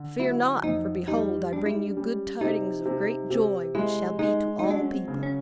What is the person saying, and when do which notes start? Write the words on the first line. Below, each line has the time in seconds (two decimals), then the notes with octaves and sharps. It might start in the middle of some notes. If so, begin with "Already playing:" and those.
"Fear not: for behold, I bring you good tidings of great joy, which shall be to all people."
Already playing: D3
0.19 F#3 E4
0.64 F2 D#4
1.08 G3 D#4
1.53 G3 D4
1.66 E4
1.76 D#4
1.87 D4
1.97 G3 C#4
2.41 C3 D#4
2.85 C3
3.30 C3
3.75 G#3 E4
4.19 G#3 D#4
4.59 F#3 D#4
4.71 D4
4.82 C#4
4.93 C4
5.08 C#3
5.23 C#4